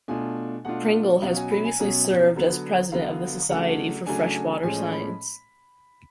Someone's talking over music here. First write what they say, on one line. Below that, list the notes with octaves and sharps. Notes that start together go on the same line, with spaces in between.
Pringle has previously served as President of the Society for Freshwater Science.
B2 A3 D4 F4 G#5
B2 A3 D4 F4 F#5
B2 F#3 C#4 F5
G#5
B5
G#5
B2 F#3 C#4
D3 F#3 B3
D3 F#3 B3 F5
C#3 F#3 A3 D4 F#5
C#3 F#3 A3 D4 G#5
G#5
A2 F3 G#3 C#4 G#5
B5